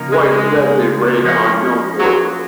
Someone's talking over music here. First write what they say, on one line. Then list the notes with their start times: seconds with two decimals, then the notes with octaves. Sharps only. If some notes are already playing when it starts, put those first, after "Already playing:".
Wight led the raid on Millport.
Already playing: C#3 F3 A#3 D#4 A#4
0.12 G#3
0.30 G#3
1.24 F3 A#3 C#4
1.99 F#3